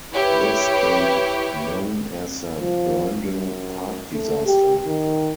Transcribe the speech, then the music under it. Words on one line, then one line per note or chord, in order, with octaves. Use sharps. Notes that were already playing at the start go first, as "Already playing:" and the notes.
This came known as the Burnden Park disaster.
E4 G4 B4 C#5
F3
F#2
A3
G4
D#3